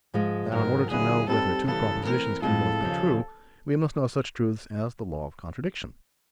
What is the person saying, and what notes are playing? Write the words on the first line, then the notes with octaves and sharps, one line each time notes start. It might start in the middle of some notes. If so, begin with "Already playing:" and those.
Now in order to know whether two propositions can both be true, we must know such truths as the law of contradiction.
G#2 F3 G#3
G#2 D#3 F#3 A#4
D#2 D3 F#3 B3 E4 G#4
G3 C4 D#4 G4 A4 B4
D2 C#3 E3 G3 B3 A4
E3 A3 C4 A#4
A2 F3 G#3 C4 F4 A4
D#2 C#3 F3